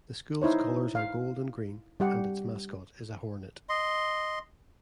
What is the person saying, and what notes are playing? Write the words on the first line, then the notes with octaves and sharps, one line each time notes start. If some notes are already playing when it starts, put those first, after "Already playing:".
The school's colors are gold and green, and its mascot is a hornet.
D#4 E4 C5 C#5
F5
G3 G4 F#5
D#5 C6